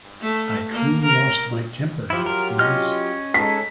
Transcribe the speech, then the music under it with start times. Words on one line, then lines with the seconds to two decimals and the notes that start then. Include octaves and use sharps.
I clean lost my temper, the fools!
0.21 A3
0.71 A#3
1.05 A#4
2.10 F3 F#3 E4 F4 G4
2.26 A#4
2.59 C#4 D#5 F6
3.34 G#3 D#4 A4 B6